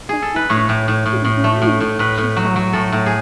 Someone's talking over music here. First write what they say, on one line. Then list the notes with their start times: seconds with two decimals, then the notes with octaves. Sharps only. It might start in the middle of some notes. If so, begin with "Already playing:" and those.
"They brought it; it is mine," she sobbed.
Already playing: F#4
0.09 G#4
0.22 A4
0.36 B4
0.49 A2 C#5
0.69 A2
0.88 A2
1.06 A2
1.25 A2
1.44 A3
1.62 A2
1.80 A2
1.99 A2 B4
2.18 A2
2.36 F#3
2.56 F#3
2.73 A2 A4
2.92 A2
3.06 G#4